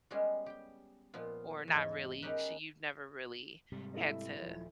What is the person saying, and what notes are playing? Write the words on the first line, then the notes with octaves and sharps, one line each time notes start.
Or not really, sh you've never really had to,
G3 G#3 B3 C#4 G#4 D#5
G4 G5
A#2 F3 B3 F4
E2 G#2
C#4 D#4 G4 A#4 B4
G#2 C3 G3
E4 A4 D#5
D#1 F3